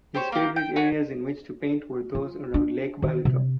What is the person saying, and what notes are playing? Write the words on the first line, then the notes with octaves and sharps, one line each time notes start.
His favorite areas in which to paint were those around Lake Balaton.
G4 C5 C#5
A#3 G4
G5
C#5 F#5 G#5
F4
D4
D#3
C3